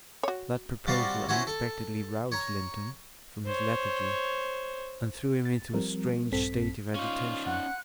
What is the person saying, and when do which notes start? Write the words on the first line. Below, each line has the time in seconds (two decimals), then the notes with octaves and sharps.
That proposal, unexpectedly, roused Linton from his lethargy, and threw him into a strange state of agitation.
0.23 F#4 C#5
0.87 C3 G3 F4 F#4 D5 F5
1.29 C#4 E4 F#4 C5 C#5
1.47 A4
2.32 C#5 A#5
3.46 C5 C#5
5.45 A6
5.73 F3 G3 C4 A#4
6.32 A#1 G2 C4 A4 B6
6.95 C#4 D#4 F4 C#6
7.46 F#5 F#6